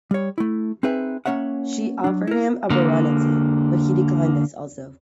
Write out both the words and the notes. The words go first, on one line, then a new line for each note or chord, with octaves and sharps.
She offered him a baronetcy, but he declined this also.
G3 C#5
A3 E4
C4 D#4 G#4 B4 E5
A#3 C#4 C#5 E5 F#5
F#3 D4
E4 A#4
D3 A#3